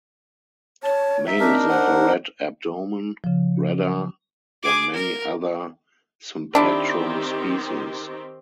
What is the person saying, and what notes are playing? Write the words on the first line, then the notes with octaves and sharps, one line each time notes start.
Males have a red abdomen, redder than many other "Sympetrum" species.
C#5 A5
D#4 E5
C4 D4 D#4 A#4
C5 F#5
C#3 F3
G#4 D6
A#4
D#3 C4 D4 E4 G4